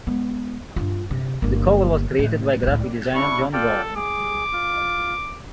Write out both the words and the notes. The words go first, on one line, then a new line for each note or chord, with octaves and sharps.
The cover was created by graphic designer John Gall.
G#3 B3
G2 F4
C3
G1 A#3
A2
C#2 A2
G3 D4 E4 C#6
F4 A4 D5 G5
G#4 D6
F4